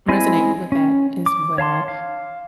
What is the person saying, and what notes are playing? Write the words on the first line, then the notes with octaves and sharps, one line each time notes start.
resonate with that as well.
G#3 C4 E4 G#5
C#4
D6
C#5 F5 A5 C6
F5